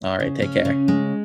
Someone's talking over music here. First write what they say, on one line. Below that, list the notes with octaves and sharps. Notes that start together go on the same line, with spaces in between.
Alright. Take care.
C#3
C#4
C#3
G#3